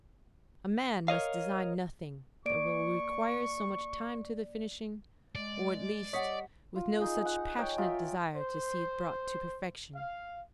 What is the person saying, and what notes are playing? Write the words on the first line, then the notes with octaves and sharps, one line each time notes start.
A man must design nothing that will require so much time to the finishing, or, at least, with no such passionate desire to see it brought to perfection.
A#4 C#5 D#5 F5
A#3 D5 C#6 D7
G#3 D5
G3 C#5 D#5 F#5 B6
F4
D#4 G#4
F#5
C#5 D#5 G5 G#5
F4 E5 A#5 D#6
C5
F5